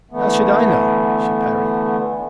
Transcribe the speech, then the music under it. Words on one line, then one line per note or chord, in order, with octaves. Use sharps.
"How should I know?" she parried.
D3 E3 A3 B3